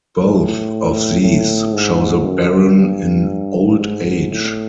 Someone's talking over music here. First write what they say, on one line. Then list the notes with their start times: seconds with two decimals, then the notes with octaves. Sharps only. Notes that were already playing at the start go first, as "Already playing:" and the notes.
Both of these show the baron in old age.
0.18 A2
1.21 A2
1.73 G#2
2.25 F#2
2.76 G2
3.79 G#2
4.31 A2